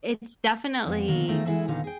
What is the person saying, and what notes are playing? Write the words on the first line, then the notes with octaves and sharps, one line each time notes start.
It's definitely
F2 B3
B2 D3 D#3 A#3 B3
D2 D#3 F3 A3 D#4 G#4
E3 G#3 E4 F#4 G#4 A4
D#2 A#2 D3 B3 D#4 F5
G#4 G5